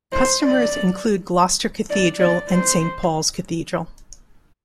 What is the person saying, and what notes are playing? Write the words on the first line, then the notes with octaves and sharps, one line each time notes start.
Customers include Gloucester Cathedral and Saint Paul's Cathedral.
C5
D5
D5
D5
C5